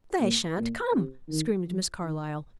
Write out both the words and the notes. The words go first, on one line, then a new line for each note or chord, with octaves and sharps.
"They shan't come!" screamed Miss Carlyle.
A#2
A#2
C3
D#3
F3
D#3